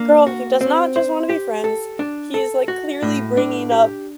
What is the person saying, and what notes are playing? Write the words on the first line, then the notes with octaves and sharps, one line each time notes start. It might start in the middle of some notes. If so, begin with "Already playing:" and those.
"Girl, he does not just wanna be friends. He is, like, clearly bringing up
Already playing: A#3 D4
F#4
C4
C5
G4
A4
D4
A4
F#4
A2
D4
G4